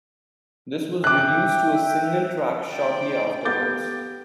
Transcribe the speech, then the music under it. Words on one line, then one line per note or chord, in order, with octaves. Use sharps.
This was reduced to a single track shortly afterwards.
E5 G5 D6 F#6
D5 G5
B3 G4 A4 F5 D6 G6 A6